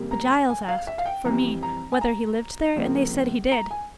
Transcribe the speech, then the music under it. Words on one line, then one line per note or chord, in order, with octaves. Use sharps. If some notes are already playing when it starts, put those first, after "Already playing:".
But Giles asked, for me, whether he lived there, and they said he did.
Already playing: F2 C#3 G3 A#3
A#5
G#5
F5
E5
F5
G5
F2 E3 G3 C4 A#5
A#5
G#5
A#5
C#2 C3 F3 A#3
A#5
G#5